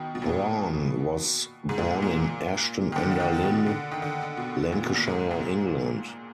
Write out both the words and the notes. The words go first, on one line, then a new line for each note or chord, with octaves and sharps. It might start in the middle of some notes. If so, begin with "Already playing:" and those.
Brawn was born in Ashton-under-Lyne, Lancashire, England.
Already playing: B2 D#3
B2
A#2
B2
G#2
A#2
A#2
D#3
D3
D3
D#3
B2
B2
D3
D#3
D3
B2
A#2
B2
A#2
G#2
A#2